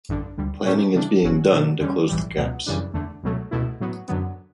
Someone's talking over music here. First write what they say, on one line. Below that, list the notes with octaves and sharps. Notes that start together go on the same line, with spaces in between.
Planning is being done to close the gaps.
A1 G2 D3
D2 D3 G3
A2 F#3 A3 C#4 G4
C#3 E3 G3 D4
G1 G2 F#3 C#4 F#4
B2 F#3 A3 D4 F#4
E2 D3 G3 C#4
B1 A2 E3 G3
C#2 B2 F#3 B3
F#2 C#3 E3 G3 D4
E2 D3 A3
C#2 B2 F#3 A3
C#2 B2 A3 E4
A2 F#3 B3
F#2 D3 F#3 B3